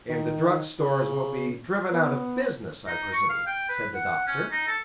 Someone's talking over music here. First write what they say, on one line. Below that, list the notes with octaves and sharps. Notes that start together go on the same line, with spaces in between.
"And the drug stores will be driven out of business, I presume," said the Doctor.
D#3
C#3
B3
D#4
C#6
F5
G5
B4
F#5
C#4
D#4
A4